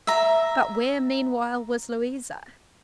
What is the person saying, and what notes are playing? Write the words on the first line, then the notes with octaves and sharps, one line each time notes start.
But where, meanwhile, was Louisa?
E5 A#5